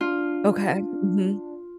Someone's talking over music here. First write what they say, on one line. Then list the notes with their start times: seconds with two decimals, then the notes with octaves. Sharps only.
Okay, mhm.
0.01 D4 F4